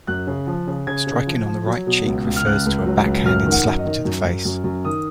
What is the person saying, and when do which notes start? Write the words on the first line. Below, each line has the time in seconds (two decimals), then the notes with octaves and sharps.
Striking on the right cheek refers to a back-handed slap to the face.
0.07 F#2 F#6
0.27 C#3
0.47 F3
0.67 C#3
0.87 C#3 G#6
1.07 C#3
1.27 F3
1.46 F3
1.66 F#3
1.87 B2
2.06 C#2
2.26 C#2
2.36 F6
2.46 C#2 F#6
2.66 C#2
2.86 F#3
3.05 C#2
3.26 F#2 F6
3.46 D#3
3.52 F#5
3.65 F#2
3.79 D#5
3.85 D#3
4.05 F#2
4.24 F#2
4.45 F#2
4.64 F#2
4.85 D#3 D#6